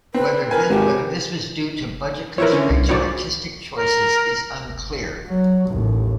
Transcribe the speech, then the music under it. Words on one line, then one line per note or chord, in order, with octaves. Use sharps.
Whether this was due to budget constraints or artistic choices is unclear.
C4 B4
A#4 B4 G#5
G#1 G4
F3 E4 A#4 B4 C#5
D3 C#4
C2
A#1 F3 F#3 C#5 D5
A#4
F#3
A1 D#2